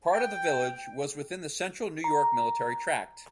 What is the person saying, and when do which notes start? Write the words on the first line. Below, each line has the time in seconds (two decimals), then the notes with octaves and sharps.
Part of the village was within the Central New York Military Tract.
0.13 G5
2.04 A#5